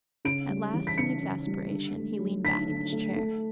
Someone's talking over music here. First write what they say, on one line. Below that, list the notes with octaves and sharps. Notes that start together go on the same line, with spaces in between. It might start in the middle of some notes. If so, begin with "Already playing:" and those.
At last in exasperation he leaned back in his chair.
C#3 D7
G3
E3
B6
C#3 C#7
C#3
G3
D3
A3
F#3
D3 B6
D3
A3
A3